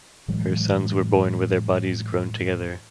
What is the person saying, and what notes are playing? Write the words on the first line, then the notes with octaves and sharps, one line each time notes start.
Her sons were born with their bodies grown together.
A2 E3 F#3 G#3